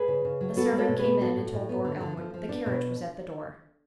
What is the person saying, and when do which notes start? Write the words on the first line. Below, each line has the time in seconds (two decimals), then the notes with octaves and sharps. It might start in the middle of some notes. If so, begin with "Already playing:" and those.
A servant came in, and told Lord Elmwood, "The carriage was at the door."
Already playing: G#4 B4
0.08 C#3
0.25 C#3
0.41 F#3
0.56 B3 F#4 A4
0.72 G#3
0.78 A4 C#5
0.88 B2
0.99 G#4 B4
1.04 B3
1.21 A2 F#4 A4
1.37 A2
1.53 A2
1.69 B3
1.85 D3
2.01 D3
2.17 F3
2.34 F3
2.49 B3 D4
2.66 B2